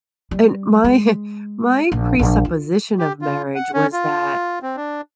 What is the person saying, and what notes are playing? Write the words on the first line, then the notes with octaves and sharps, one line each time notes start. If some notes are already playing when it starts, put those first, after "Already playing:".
And my, huh, my presupposition of marriage was that,
G3
G#3
A#1
A#1
F4
G4
F4
F#5
C#4
F4
C4
D4